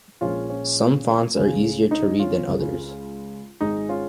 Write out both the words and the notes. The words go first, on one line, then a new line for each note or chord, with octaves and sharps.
Some fonts are easier to read than others.
A#1 A#2 F3 G#3 C#4 F4
C#4
C#2 C#3 G#3
D#4
C#4 F4
C#2 C#3 G#3
G#1 G#2 G#3 D#4
C#4 F4